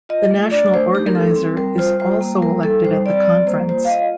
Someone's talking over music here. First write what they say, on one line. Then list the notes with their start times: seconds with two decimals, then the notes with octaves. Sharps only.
The National Organiser is also elected at the conference.
0.09 F4 D#5
0.31 A3
0.51 D4 D5
0.74 A3 C5
0.95 D#4 G4
1.07 A#4
1.15 G3 A4
1.36 C4
1.57 G3 A#4
1.78 F4 C5
1.99 G3 C5
2.21 A#3
2.42 G3 A#4
2.63 D#4 A4
2.84 G3 C5
3.05 C4 D5
3.26 G3 D5
3.47 A#3 C5
3.68 F4 C5
3.85 F5
3.90 F4 D#5